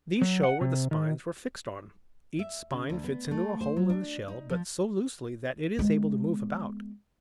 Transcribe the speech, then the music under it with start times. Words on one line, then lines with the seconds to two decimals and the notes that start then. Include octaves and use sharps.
These show where the spines were fixed on; each spine fits into a hole in the shell, but so loosely that it is able to move about.
0.22 F#3
0.43 F#5
0.61 C3
0.91 D#3
2.39 E5
2.71 C#3
2.89 D2
3.04 B3
3.31 A3
3.61 C5
3.76 F#3
3.90 D4
4.28 D#4
4.50 F3
5.79 G#3 B3